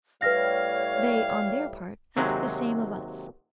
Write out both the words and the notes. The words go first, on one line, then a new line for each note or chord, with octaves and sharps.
They, on their part, ask the same of us.
A2 G3 B4 C#5 F5 F6 A#6
D#2 C3 F#3 G#3